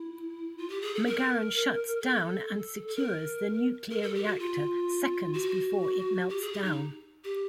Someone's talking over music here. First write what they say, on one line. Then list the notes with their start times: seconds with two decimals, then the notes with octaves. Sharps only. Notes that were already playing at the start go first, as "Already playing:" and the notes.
McGarren shuts down and secures the nuclear reactor seconds before it melts down.
Already playing: E4
0.58 F4
0.70 G4
0.82 G#4
0.94 A4
1.06 A#4
2.01 A4
2.88 A4
2.96 A#4
3.91 A#4
4.02 A4
4.15 G4
4.26 F#4
4.39 F4
5.33 F#4
6.29 G4
6.41 G#4
6.53 G4
6.64 D#4
7.24 G4